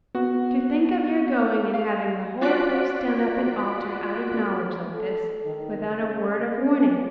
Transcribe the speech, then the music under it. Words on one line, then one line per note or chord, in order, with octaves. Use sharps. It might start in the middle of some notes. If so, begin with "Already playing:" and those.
To think of your going and having the whole place done up and altered out of knowledge like this, without a word of warning!
B3 F#4
F5
F4 F#4 D5 F#6 B6 D7
A4
D#3
C#3
C#4